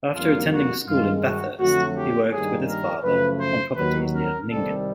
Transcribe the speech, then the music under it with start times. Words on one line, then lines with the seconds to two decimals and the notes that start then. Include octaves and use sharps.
After attending school in Bathurst, he worked with his father on properties near Nyngan.
0.15 F2 D3 G3 A#3 F4
0.52 F#4
0.87 G2 D#3 G#3 F4
1.24 F#4
1.60 F2 D3 F#3 A3 F#4
1.96 G4
2.32 G2 D#3 G3 A#3 G#4
2.69 A#4
3.04 F#2 C#3 F3 A3 B4
3.40 C5
3.76 D#2 D#3 F#3 B4
4.13 A#4
4.49 C2 C3 D#3 G3 A4